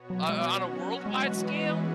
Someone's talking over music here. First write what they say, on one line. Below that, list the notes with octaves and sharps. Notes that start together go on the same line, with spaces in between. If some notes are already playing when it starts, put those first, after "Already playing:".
Wha o on a worldwide scale,
Already playing: B2 B3 F#4 C#5
F#3
G#3
F#3 C#4 F#4
E3 G#3 B3 F#4 B4
E3 C#4 E4 G#4